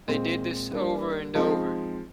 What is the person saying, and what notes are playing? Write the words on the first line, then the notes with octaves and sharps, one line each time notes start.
They did this over and over.
A#2 G#3 C4
G3 A#3 D4
F3 G#3 C4 D#4